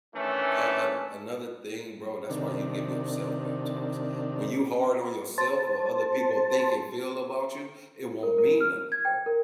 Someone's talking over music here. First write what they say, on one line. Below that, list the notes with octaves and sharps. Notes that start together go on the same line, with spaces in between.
uh, uh, another thing, bro, that's why you give yourself pep talks. When you hard on yourself, what other people think and feel about you, it won't mean nothing, bro.
D#3 E3 A3 C#4 D4
C3 D#3 D4
C5 A5
A#4
A#4
F6
G#6
G5
A#4